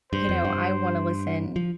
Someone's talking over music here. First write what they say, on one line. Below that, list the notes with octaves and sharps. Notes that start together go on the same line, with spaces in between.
You know, I wanna listen,
G2 C5
F2
G2
F3